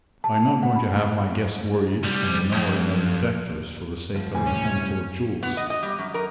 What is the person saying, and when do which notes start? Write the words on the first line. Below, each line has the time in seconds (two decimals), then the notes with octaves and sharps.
I am not going to have my guests worried and annoyed by detectives for the sake of a handful of jewels.
0.24 A5
0.63 F#5
0.76 B5
2.03 C2 G3
2.52 F2
4.15 D2 F3
4.35 A2 C3 G3 G#5
4.46 C#4
5.43 B3
5.57 D#5
5.70 D#5
5.82 G3
5.99 F#2
6.14 A#4